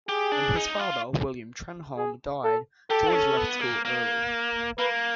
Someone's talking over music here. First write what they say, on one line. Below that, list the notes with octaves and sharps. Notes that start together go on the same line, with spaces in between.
When his father, William Trenholm, died, George left school early.
G4 G#4
D4
D#4
F4
G#4
A4
G4 A4
C#4
B3
A#3
A#3
A#3 B4